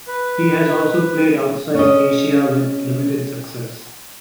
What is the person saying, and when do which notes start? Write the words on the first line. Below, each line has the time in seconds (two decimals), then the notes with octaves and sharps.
He has also played outside Asia with limited success.
0.07 B4
1.75 C#4 D#5